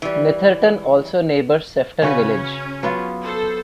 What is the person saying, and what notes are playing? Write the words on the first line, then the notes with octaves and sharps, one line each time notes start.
Netherton also neighbours Sefton Village.
E3 G3
C#3 C#4 F#4 B4
F#3 B3 F4
A4 C5